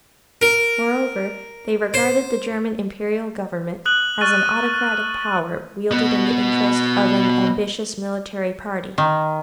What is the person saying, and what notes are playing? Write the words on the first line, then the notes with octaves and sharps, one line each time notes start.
Moreover, they regarded the German imperial government as an autocratic power wielded in the interest of an ambitious military party.
A#4
C5
D#6 F#6 F#7
C#6 F6 A6 D#7
B2 B3
D#3